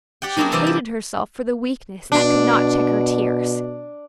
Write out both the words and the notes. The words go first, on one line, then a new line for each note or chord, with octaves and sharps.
She hated herself for the weakness that could not check her tears.
G4 D5 F#5 G5
F#3 A#3 D4 E4 F#4 G#4
C3 E3 G3 E4 C5 D5
D5
B2 D4